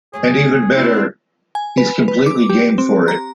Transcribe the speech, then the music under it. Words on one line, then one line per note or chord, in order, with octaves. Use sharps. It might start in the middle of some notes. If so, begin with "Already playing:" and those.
And even better, he's completely game for it.
F#2 A3 G#4 C#5
C4 D4 E4 E5
G#5
B4
B4
D6
G4
C4
A#5